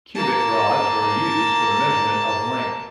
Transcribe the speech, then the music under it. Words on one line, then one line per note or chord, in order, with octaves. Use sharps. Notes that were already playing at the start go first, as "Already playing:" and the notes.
Cubit rods were used for the measurement of length.
A#3 A5